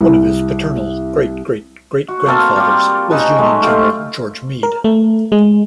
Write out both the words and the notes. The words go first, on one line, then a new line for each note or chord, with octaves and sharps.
One of his paternal great-great-great-grandfathers was Union General George Meade.
C2
F#4
A#3 C4 A4 F5
G3 F4 G4
C#4 D#4 B4 A5
F#3 G#3 A3
A3 F4 G4 F5
A#4
A3
G#3